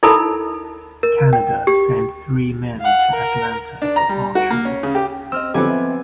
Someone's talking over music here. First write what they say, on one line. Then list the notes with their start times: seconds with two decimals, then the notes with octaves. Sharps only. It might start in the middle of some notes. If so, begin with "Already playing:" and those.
Canada sent three men to Atlanta for archery.
0.03 D#4 E4 A4 A#4 A5 B5
1.03 A#4
1.33 G5
1.67 G4
2.80 F5 F#5
3.10 A#4
3.82 D4
3.96 A#5
4.09 G3
4.35 F#4
4.50 A#3
4.65 C#4
4.83 C#3
4.95 G4
5.32 C4 D#5 E6 F6
5.54 F2 D3 F#3 B3 C4 G4 G#5 D6
5.70 E5